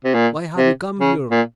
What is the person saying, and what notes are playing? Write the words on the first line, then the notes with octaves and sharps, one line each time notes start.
Why have you come here?
C3
A#2
C3
C#3
A#2